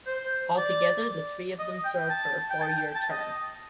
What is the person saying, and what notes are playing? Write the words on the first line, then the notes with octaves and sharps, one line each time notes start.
Altogether, the three of them serve for a four year term.
C5
D5
D#5
G5
A5
G5
A5
G5
A5
D#5